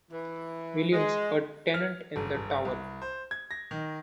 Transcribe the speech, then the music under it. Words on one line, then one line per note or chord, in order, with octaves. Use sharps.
Williams, a tenant in the tower.
E3
G#3
F6
G1
G1
C2
C5
G#6
A#6
D#3